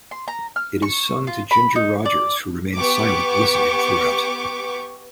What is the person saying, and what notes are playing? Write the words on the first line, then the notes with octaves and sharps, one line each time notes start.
It is sung to Ginger Rogers, who remains silent listening throughout.
C6
A#5
F6
C#6
F4
B5
D#4
D5
B3 G4 C#6 D6